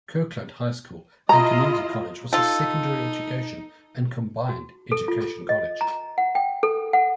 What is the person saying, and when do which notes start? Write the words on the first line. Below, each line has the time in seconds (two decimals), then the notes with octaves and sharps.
Kirkland High School and Community College was a secondary education and combined education college.
1.29 E4 F4 D#5 A#5
2.33 D#4 F4 A4
4.49 F#4
4.92 A4
5.08 F4
5.49 D#5
5.81 A#5
6.18 F#5
6.35 G5
6.63 A4
6.93 F#5